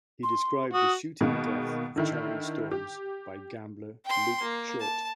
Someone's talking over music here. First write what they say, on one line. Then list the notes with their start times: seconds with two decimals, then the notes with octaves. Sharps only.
He described the shooting death of Charlie Storms by gambler Luke Short.
0.23 C6
0.73 F#4 D#6
1.21 B2 D#3 G#3 A#3
1.96 D3 D#3 E4
2.71 G4
4.05 G5 C6
4.42 A#3
4.80 A5